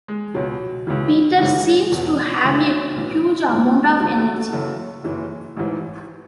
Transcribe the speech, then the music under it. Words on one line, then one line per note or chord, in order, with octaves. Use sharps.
Peter seems to have a huge amount of energy.
G#3
C#2 B2 F#3
C#2 C#3 E3
G#1 F#2 C#3 E3 G#3
E1 E2 B2
C#2 C#3 E3 F#3 A3
B1 A2 E3
A1 G#2 E3 G#3
F#3
G#3
C#2 C#3 E3 D#4 F#4
F#4 A4
F#4 A4
F#1 F#2 C#3 E3 F#4 A4
F#1 F#2 E3
A1 G#2 E3